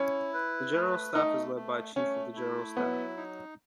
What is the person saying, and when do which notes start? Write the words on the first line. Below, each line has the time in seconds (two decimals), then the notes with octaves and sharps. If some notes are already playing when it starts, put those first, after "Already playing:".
The general staff is led by the Chief of the General Staff.
Already playing: C#4 E4
0.34 B4
0.74 A3
1.14 A3 D#4
1.56 A3
1.96 A3 C#4
2.36 E4
2.76 F#3 B3
3.17 D#4